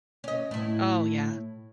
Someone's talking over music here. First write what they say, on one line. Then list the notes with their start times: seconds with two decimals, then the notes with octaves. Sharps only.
Oh, yeah.
0.24 C#4 D#5
0.51 A2 E4